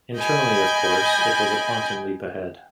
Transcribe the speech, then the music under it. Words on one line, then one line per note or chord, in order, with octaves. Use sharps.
Internally of course, it was a quantum leap ahead.
D#5 G5 G#5 B5